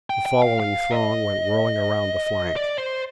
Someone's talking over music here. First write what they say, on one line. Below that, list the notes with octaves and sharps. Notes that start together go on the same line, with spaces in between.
The following throng went whirling around the flank.
G5
G5
F5
F5
D#5
D5
C5